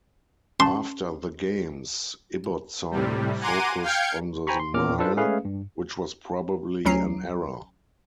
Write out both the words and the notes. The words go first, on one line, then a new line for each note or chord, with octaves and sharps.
After the games, Ibbotson focused on the mile, which was probably an error.
C#4 A5 C6
A2 C3 G3
F#5 G#5 A#5 C6 D6 D#7
F5 G5 F6 G6 G#6 C#7
C5 G5 G#5 A#5 B5 C#6
C6
E2 A#2 C#4 A#4 D6 F6
D4 F4 A4 B4 C5
G#3 A3 C#4 G#4 B4 F5
G2
D2 F#3 C#4 A#5 C7